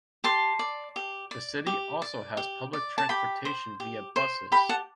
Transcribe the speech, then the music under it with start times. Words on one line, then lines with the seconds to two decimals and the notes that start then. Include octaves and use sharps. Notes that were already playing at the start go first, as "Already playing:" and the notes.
The city also has public transportation via buses.
0.24 G4 A5 C6
0.59 D5
0.96 G4
1.31 D5
1.66 G4
2.02 D5
2.37 G4
2.73 D5
2.98 A5
3.09 G4 G5 B5
3.45 C5
3.80 G4
4.16 C5
4.52 G4 G5 B5
4.69 F#5 A5